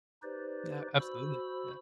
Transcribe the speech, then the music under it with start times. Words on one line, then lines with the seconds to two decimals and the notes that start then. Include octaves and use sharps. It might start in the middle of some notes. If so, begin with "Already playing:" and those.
Yeah, absolutely, yeah.
0.23 D#4 G4 B4 C5 D5
0.99 F#4 C5 B5 E6